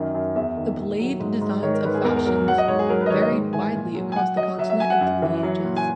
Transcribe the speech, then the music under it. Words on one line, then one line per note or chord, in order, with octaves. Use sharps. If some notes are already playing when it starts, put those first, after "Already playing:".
The blade designs of falchions varied widely across the continent and through the ages.
Already playing: F#2 D#3
F#2
E2 E5
D#3
A#2
F#3
G#2
G#2
D#3 C#5
A#4
G#2 B4
G#4
E2 A#4
A#4
F#3 A#4
F#3 F#5
D#5
G#2 C#5
G#4
F#3 A#4
B4
D#5
D#3 C#5
D#5
G#2
E3 G#5
A#2
F#3
G#5
F#3 F#5
F#3 D#5
F#3 E5
E5
F#3 G#5
F#5
F#2
E3
F#3
A#2
G#5